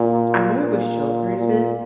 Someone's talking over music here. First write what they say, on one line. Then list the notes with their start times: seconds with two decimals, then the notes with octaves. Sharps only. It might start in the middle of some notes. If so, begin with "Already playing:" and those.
I'm more of a show person
Already playing: A#2
0.59 A#2
1.38 A#2